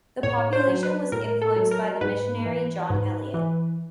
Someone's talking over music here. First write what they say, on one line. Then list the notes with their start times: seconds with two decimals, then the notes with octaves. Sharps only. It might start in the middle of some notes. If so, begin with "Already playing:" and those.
The population was influenced by the missionary John Eliot.
0.23 A2 C#5
0.53 C5
0.67 F#3
0.83 B4
1.12 A2 A#4
1.42 A4
1.56 F#3
1.71 A#4
2.01 G#2 B4
2.46 E3
2.90 G#2
3.34 E3